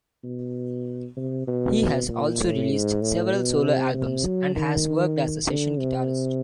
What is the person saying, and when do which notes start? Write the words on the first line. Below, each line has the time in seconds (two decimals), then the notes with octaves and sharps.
He has also released several solo albums and has worked as a session guitarist.
0.24 B2
1.17 C3
1.47 B2
2.09 A#2
2.40 A2
2.71 G#2
3.02 A2
3.33 B2
3.63 C3
3.94 C3
4.25 F#3
4.56 D#3
5.49 D3
5.79 C3